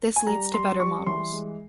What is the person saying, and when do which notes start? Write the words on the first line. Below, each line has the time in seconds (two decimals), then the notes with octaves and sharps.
This leads to better models.
0.16 G#5
0.27 G3 A#5
0.53 G3 C6
0.80 G3 C#6
1.06 E3 C6
1.33 G#3